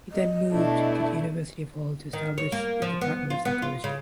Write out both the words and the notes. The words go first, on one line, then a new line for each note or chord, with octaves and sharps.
He then moved to the University of Hull to establish the Department of Psychology.
D#5
B2 A3 D4 E4
D#3
C#5
A#3
F3
B3
F4
B3
F4
C#3